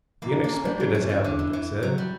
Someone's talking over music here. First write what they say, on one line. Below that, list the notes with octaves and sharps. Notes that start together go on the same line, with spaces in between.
"The unexpected has happened," I said.
E3 A#3
D4
A#3 D4
C#4
G3 D4
F#3
C#4
E3
E3 C#4
D3
E3
E3
F#3
G3